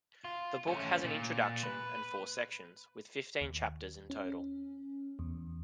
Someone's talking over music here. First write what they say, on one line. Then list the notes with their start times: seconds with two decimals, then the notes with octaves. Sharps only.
The book has an introduction and four sections, with fifteen chapters in total.
0.24 F4
0.67 A3 C#4
1.04 A#2
1.63 B4
3.41 D#2
4.10 C#4
5.19 E2